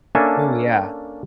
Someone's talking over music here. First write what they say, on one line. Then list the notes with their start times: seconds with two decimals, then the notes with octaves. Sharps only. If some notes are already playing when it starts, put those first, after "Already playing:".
Ooh, yeah.
0.15 A#3 C#4 D4 A4 E5 G#5